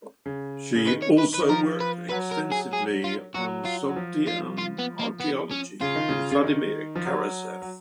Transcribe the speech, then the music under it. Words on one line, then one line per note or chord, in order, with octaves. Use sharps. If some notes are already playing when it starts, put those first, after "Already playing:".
She also worked extensively on Sogdian archaeology with Vladimir Karasev.
C#3
C#3
D#3 B4
C#5
B4
B4
D#3
F3 A#4
B4
F#3 B4
A#4
G#4
G#4
F4
F#3 F#4
F4
F#3
F3
F4
F4
B3
A#3
B3
C#4
C#3 F4
D#3
C#3
C#3
D#3
F3
F#3
F#3